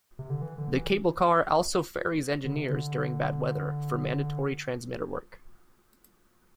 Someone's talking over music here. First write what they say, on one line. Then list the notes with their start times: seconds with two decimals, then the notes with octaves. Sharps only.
The cable car also ferries engineers during bad weather, for mandatory transmitter work.
0.19 C3
0.30 D3
0.42 E3
0.58 D3
0.75 E3
2.45 D3
2.56 C3
2.69 D3